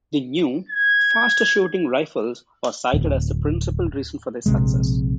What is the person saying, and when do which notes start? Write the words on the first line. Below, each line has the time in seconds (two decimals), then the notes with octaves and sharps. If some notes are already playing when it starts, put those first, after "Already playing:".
The new, faster-shooting rifles are cited as the principal reason for their success.
0.69 G#6
2.93 D1
4.46 A#1 C3 G#3